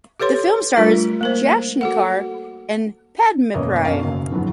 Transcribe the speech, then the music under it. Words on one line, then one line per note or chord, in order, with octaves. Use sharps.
The film stars Jaishankar and Padmapriya.
G4 A4 B4 C#5 C6
G3 A3 D4 F4 A#4
A#3 A#4 C5
F#4 A4 F#5
E1 F#2 A#3 B4 C#5 D#5
B1 F#2 C#4 F5
F#1
E2 G#2 F3 F#3 B3